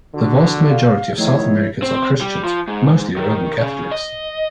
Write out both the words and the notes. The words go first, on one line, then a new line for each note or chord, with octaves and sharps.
The vast majority of South Americans are Christians, mostly Roman Catholics.
D3 F#4
F5
E2 D#3 F3 A3 E4 C#5
C4
G3
F3
G#2
D#3
C#3
D#5